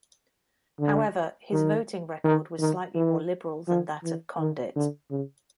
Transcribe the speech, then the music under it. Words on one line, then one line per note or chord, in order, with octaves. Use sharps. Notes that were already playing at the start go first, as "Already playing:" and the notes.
However, his voting record was slightly more liberal than that of Condit.
D3
D#3
D#3
D#3
E3
F3
E3
D#3
D3
C#3